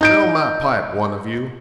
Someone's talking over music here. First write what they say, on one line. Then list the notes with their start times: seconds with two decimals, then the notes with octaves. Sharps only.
'Fill my pipe, one of you.
0.01 D#4 G6 D7